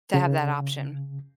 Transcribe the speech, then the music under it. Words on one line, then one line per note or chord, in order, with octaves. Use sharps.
to have that option.
C#3